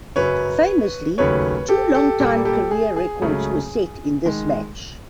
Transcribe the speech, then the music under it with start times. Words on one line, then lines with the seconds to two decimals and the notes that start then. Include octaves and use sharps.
Famously, two longtime career records were set in this match.
0.16 F#2 C#3 F#3 B4 C#5
1.18 D#2 C#3 F#3 A3 B4 C#5
1.68 G4 A4
1.95 G4 A4
2.20 A#2 G3 A#3 G4 A4
2.45 G4 A4
2.71 G#4
2.96 G#4
3.22 C#2 C#3 F#3 A3 G#4
4.25 D#3 G#3